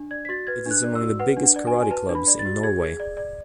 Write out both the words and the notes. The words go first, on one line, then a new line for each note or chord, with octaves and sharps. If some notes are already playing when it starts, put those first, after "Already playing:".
It is among the biggest karate clubs in Norway.
Already playing: D4
D5 G#6
B6
F#4 A6
B4 G#6
D4 F#6
D5
E6
F#4
B4 F#5
D4
F#5
D5
G#5
F#4
G#5
B4 A5
D4
B5
D5
A6
F#4
G#4 G#6
G#4
D5
D5